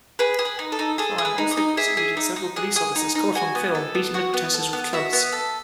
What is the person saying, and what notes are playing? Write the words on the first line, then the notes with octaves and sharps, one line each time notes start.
Foran also prosecuted several police officers caught on film beating the protestors with clubs.
G#4 B4
G#4
B4
D#4
A4
D#4
G#4 A4
G#4
B4
D#4
D#5
D#4
G#4 E5
G#4
D#4
D#4
G#4 F#5
G#4
D#4
D#4
F#4 G#5
B3
A4
B3
F#4 F#5
B3
A4
B3
F#4 E5
B3
A4